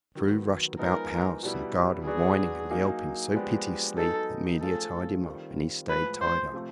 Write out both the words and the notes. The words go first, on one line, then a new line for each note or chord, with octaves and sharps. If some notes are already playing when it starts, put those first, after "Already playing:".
But True rushed about the house and garden whining and yelping so piteously that 'Melia tied him up, and he stayed tied up.
D#3 F#3 B3
F3 G#3 B3 D#4 G#4 A#4
B2 G3 B3 E4
F#3 B3 D4 F#4 G#4
F#3 A#3 D#4 G#4
F3 G#3 B3 D4 G4
F#3 B3 D#4 G#4 A4
F3 A3 C#4 F4 G#4 A4
D#3 G3 C4 F4
A2 F3 G#3 B4
C5
C3 F3 A3